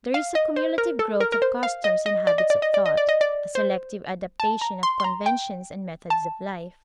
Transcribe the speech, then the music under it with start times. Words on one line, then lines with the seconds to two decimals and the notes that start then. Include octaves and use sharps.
There is a cumulative growth of customs and habits of thought; a selective adaptation of conventions and methods of life.
0.14 F5
0.35 D#5
0.56 C5
0.78 A#4
0.99 A4
1.20 A#4
1.32 A#4
1.42 C5
1.63 F5
1.84 D#5
2.06 D#5
2.27 D5
2.38 D#5
2.50 D5
2.62 D#5
2.74 D5
2.86 D#5
2.97 D5
3.09 D#5
3.21 D5
3.55 C5
4.40 A5
4.61 A#5
4.83 C6
5.00 C6
5.04 A#5
5.26 G5
6.10 A5